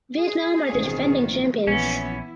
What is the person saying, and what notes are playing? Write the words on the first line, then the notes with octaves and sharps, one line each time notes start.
Vietnam are the defending champions.
G#4
A1 B2 D#3 C4 D4
A#2 F3 A#3
A#1 E3 B3 C#4 E4